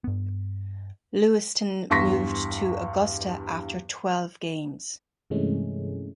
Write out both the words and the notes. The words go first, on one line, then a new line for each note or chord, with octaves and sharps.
Lewiston moved to Augusta after twelve games.
G2 B3
E2 G2 C6 C#6 A#6 B6
G2 C3 E3 G#3 A3 C#4